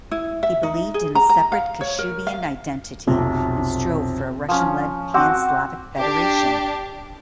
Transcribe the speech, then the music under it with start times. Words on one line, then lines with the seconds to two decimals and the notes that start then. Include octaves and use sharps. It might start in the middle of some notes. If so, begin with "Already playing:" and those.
He believed in a separate Kashubian identity and strove for a Russian-led pan-Slavic federation.
0.11 E4
0.43 E5
0.63 D#4
0.94 G#4
1.15 A#5
1.29 A#5
1.52 F5
1.81 C#5
1.99 A#4
2.27 F5
3.08 B1 F2 C3 F3
4.49 F3 C#4
5.14 C4 F#4 F#5 D6
5.94 D4 G4